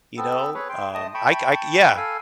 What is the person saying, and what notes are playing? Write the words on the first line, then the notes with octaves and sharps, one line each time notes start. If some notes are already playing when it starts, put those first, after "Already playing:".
you know? Um, I c I c yeah,
B3 C4 A4
G#4 B4 C#5
G5 C6
A3 D#5 A5 D#6
G5 A5 B5 C#6
A4 F5 G#5